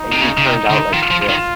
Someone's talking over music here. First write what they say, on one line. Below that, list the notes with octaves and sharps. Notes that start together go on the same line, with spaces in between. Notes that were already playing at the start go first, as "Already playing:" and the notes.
And he turned out like this.
Already playing: D#4
C3
C#3
C#3
C3
D3
D#3 F4
F3
D#3